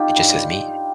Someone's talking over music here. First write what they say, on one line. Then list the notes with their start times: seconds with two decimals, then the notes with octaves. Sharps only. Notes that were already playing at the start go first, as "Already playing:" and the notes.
It just says, "meat."
Already playing: D#4 F4 G4
0.16 G2